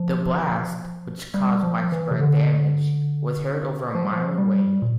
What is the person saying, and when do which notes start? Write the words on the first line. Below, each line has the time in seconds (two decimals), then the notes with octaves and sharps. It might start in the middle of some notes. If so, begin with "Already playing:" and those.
The blast, which caused widespread damage, was heard over a mile away.
Already playing: F3
1.34 G3
1.63 F3
1.92 E3
2.11 C3
2.21 D3
3.95 F3
4.04 G3
4.13 F3
4.38 G3
4.82 A#2